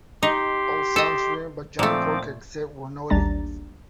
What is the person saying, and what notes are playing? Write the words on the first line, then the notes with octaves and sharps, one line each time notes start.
All songs written by John Gorka except where noted.
D#4 G4 C6
A4 D#5
A#2 F3 A3 C4 D6
A1 D#2 G3 D4 A#5 A6